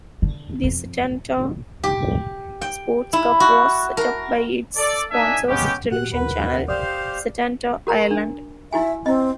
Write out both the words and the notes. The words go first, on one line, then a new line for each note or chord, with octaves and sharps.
The Setanta Sports Cup was set up by its sponsors, television channel Setanta Ireland.
D3
F2
G4
G5
E4
F#4
A#4
A4 D5
A#3 D4 D#4 E5 G#5
G#3 B3 C#4 G4
A#2 F#4 G4 F#5
D#2 A#4 B4 F#5
G4 C5 D5 F5 D6 D#6
F#4 A#4 A#5
D4
E4 F#4 E5 G#5
C4 E4 D#5